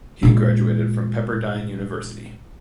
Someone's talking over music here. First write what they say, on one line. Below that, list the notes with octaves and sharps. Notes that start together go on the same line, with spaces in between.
He graduated from Pepperdine University.
A#2 G#3